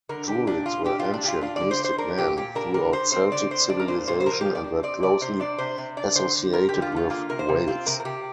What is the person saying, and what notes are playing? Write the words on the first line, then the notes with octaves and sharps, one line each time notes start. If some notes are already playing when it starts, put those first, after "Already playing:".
Druids were ancient mystic men throughout Celtic civilisation and were closely associated with Wales.
D3 A#4
D4 G4
A#2 D4
A#2 F4
D4 G4
F4
A#2
D4
A#2 G4
F4
D4 F4
D3 D5
C5
D3
C5
D4 A#4
A#2 G4
A#2 G4
D4 A#4
D3 A#4
D3 C5
C4 C5
D3 D5
D3 C5
D4 D5
A#4
A#2 C5
A#2 C5
C5
F3 A#4
F3 G4
D5
D4
C4 D5
C3 D5
C3 C5
D4 D5
C3 C5
C3
D4 D5
D3 C5
D3
C4 A#4
D3 G4
F4
D3 F4
A#3 F4
C3 A#4
C5
C3
C4 F4
C3 A#4
A#4
C3 G4